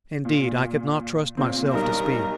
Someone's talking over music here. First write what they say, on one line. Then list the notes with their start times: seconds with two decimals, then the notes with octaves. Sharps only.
Indeed, I could not trust myself to speak.
0.25 A#2
1.37 A#2 C#3 C4
1.74 B1 G3 D#4 A#4